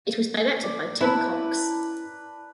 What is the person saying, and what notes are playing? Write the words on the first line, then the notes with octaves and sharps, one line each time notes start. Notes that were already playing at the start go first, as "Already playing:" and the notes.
It was directed by Tim Cox.
D5
C#4 E4 B4 A5 A#5